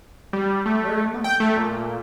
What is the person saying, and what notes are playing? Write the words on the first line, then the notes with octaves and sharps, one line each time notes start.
"Very much."
G3
A3
G5
A3
A#2